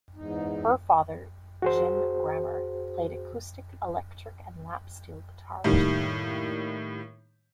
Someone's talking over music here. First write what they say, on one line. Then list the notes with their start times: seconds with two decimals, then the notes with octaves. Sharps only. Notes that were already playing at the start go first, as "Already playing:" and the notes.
Her father, Jim Grammer, played acoustic, electric, and lap steel guitars.
0.15 E2 G#2 D#4
1.62 F#4 G#4 C5
5.64 A2 D#3 G3 A#3